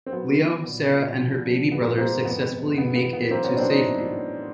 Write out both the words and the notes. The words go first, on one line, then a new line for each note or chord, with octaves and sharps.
Leo, Sarah and her baby brother successfully make it to safety.
C4
F#3 B3
F#3
A#2
A#2
F3
F3
G#2 B3
G#2 A#3 C4
F2 B3
C3
F2 B3
B3
E3
B3
F#3 A#3 C4
B3 C#4
F#3 C4 D4
C#4 D#4
A2
A2